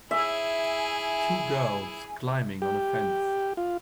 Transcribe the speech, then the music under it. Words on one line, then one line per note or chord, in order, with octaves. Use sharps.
Two girls climbing on a fence.
E4 G#4 E5 G#5
G4
F4